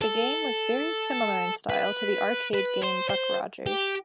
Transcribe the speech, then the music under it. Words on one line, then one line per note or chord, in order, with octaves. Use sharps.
The game was very similar in style to the arcade game "Buck Rogers".
A4
B4
B4
C5
C5
G4